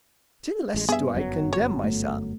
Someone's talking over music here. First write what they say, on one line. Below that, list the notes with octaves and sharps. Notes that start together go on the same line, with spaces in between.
Still less do I condemn myself.
A1 G#3
G2 B3 G#4 E5
G1 F#2 F#3
C#5
A3